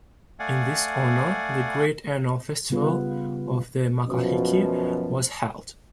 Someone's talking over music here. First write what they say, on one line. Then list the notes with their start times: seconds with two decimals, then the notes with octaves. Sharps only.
In his honor, the great annual festival of the Makahiki was held.
0.39 A3 D5 F5 F#5 G#5
2.70 C#3 G3 B3 F4 B4
4.07 F#2 B2 F3